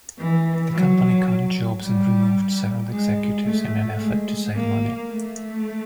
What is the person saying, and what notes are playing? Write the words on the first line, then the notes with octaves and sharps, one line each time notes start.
The company cut jobs and removed several executives in an effort to save money.
E3
F#3
G3
G#3
A3
G#3
A#3
A3